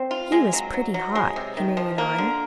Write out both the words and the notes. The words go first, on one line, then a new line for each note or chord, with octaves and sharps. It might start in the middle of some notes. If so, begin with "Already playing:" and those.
"He was pretty hot," Henry went on.
Already playing: C4
F4
G#3
F#3
F#3
F#3
G#3
C3
D#3
F3
A#3
D3